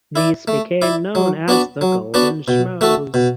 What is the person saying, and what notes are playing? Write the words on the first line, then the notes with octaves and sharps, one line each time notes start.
These became known as "The Golden Schmoes".
E4 D5
A3
E4 D5
F#3
B3 D4 F#4 D5
F#3
B3 D4 F#4 D5
B2
A3 F#4 A4
B2